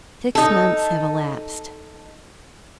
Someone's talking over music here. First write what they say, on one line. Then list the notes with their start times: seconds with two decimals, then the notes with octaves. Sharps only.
SIX months have elapsed.
0.35 D#4 A4